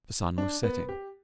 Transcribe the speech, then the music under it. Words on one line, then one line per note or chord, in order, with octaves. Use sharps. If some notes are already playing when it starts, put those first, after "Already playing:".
The sun was setting.
D4
B3
G4